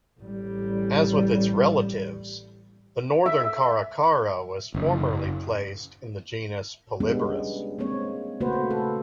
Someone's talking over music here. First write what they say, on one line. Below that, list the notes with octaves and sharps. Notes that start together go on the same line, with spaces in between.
As with its relatives, the northern caracara was formerly placed in the genus "Polyborus".
A1 G3
E5
F#1
G3 G#3 B3 C#4 D4
G#3 A#3 C4 C#5
C#3 A3 A#3 F#4 B4 C5
A4